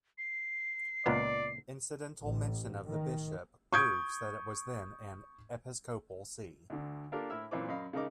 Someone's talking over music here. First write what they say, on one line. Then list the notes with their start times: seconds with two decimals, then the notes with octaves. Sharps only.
Incidental mention of the bishop proves that it was then an episcopal see.
0.18 C7
1.06 C#2 A#2 B3 D5
2.22 A1
2.86 D#3
3.73 C#6 D#6 G6 G#6 D7
6.70 D2 D3
7.12 A#3 D4 F4 G4 A4 A#4
7.30 A2 E4 E5 E6 F6
7.51 F#2 A#2 E3 C4 D6
7.68 F#2 D#5 F5 B5
7.93 C#3 G#3 D#4 A#4 D#5 D6